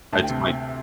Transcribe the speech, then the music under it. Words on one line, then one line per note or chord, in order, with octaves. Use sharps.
that's my
D2 A5
G5
C3